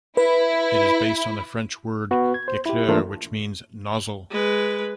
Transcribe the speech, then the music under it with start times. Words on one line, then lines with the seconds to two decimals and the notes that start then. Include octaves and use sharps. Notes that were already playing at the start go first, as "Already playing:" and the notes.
It is based on the French word gicleur, which means "nozzle".
0.17 E4 B4
2.11 B3 F#4 B4
2.34 G#6
2.48 C5
2.66 E4 G4
2.88 E3 A3 A#3 D4 F4 A#4
4.31 G#3 B4